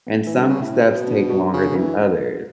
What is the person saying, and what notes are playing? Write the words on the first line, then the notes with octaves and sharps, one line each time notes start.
and some steps take longer than others,
B3
A3
E3
D3 G3 B3
C#3
A2 A3 C#4
B2
B3 D4
D4 F#4
C#3
E3